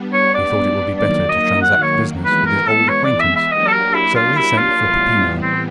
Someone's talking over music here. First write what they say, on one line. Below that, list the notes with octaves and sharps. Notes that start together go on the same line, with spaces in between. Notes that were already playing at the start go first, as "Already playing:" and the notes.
He thought it would be better to transact business with his old acquaintance, so he sent for Peppino.
Already playing: G3 B3 D4
C#5
D5
D#3 F#3 A#3 D5
D#5
F#5
C#5
E3 G#3 B3 B4
A#4
A4
C#5
D5
E5
E5
F#3 A#3 D4 G4 D#5
A4
A#4
E4
F4
E4
F4
A2 E3 G3 B3
C4